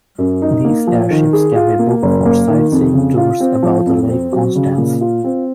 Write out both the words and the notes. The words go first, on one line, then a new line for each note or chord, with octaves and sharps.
These airships can be booked for sightseeing tours above the Lake Constance.
F#2
D#4
A#3
F3
D#3
G#4
F4
A#3
F#1
A#3
D#3
F2
C#3
F4
C4
F3
F2
C4
F#3
C#3
A#2
F4
C4